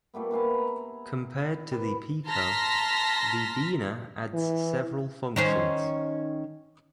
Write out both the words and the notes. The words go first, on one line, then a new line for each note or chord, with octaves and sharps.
Compared to the Pico, the Beena adds several functions.
A#2 G3 A3 B3
A3 B4 F5 G#5
E5 A#5
B4 C5 D5 G5
A5 A#5 C6 F6 A#6 B6
E3
D#3 C#4 C5